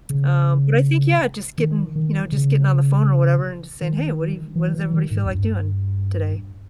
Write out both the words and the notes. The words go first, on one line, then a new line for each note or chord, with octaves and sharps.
um, but I think, yeah, just getting, you know, just getting on the phone or whatever and just saying, "Hey, what do you what does everybody feel like doing today?"
C#3
D#3
D#3
C#3
D#3
E3
E3
D#3
G#2
E2
G2